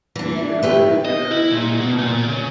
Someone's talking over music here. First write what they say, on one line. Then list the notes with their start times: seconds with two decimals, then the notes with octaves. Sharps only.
The inaugural winner was Mickey Mantle.
0.16 E3 D4
0.36 E5
0.62 A3 G4 B4
1.05 D#5
1.31 E4
1.51 A#2
1.81 B2
1.98 A#2
2.28 C#3